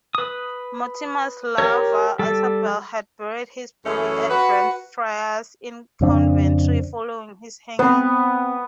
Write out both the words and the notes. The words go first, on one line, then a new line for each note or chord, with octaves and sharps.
Mortimer's lover Isabella had buried his body at Greyfriars in Coventry following his hanging.
B4 D#6
G4 A#4 C#5
G3 A4
F#2 E3 A3 C#4 G#4
F#4 B4
F2 C#3 C4 D4
B3 C4 C5